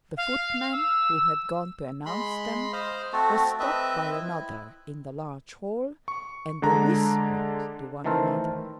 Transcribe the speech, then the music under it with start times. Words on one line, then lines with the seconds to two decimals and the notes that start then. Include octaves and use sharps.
The footman who had gone to announce them was stopped by another in the large hall and they whispered to one another.
0.17 F5
0.72 E6
2.06 G#3 B5 C6
2.73 C5 D#5 F5
3.13 A3 C4 F#4 A4
3.60 C4 B4 D#5 E5
4.11 E4
6.08 C#6
6.62 D3 G#3 D4 A#5
8.04 D#3 E3 A3 A4 A#4 C5